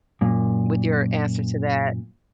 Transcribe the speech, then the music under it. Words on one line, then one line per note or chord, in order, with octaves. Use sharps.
with your answers to that.
F#2 A#2